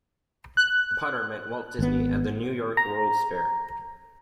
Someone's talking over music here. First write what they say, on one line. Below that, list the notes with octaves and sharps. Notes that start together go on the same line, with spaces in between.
Potter met Walt Disney at the New York World's Fair.
F#6
G#1 B3
A#5